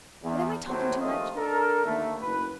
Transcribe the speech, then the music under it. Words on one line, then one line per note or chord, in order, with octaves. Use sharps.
But am I talking too much?
E2
D#2 A2 F#3 C5
A#1 C3 D#3 A3 F4 D#5
D4 A4 A#4
D#2 D3 A3
F#1 B4